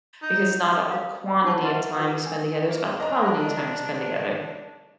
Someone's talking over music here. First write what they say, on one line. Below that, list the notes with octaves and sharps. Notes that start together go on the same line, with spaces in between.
because it's not about the quantity of time you spend together, it's about the quality of time you spend together.
D#4
F5 D#6
D4 E4 C5 F#5 A5 C#6
B4 D#5 E5 F#5 A#5 C6
F4 G4 B4 F#5 D6 E6
D4 A#4
A#3
D4 D#5 A#5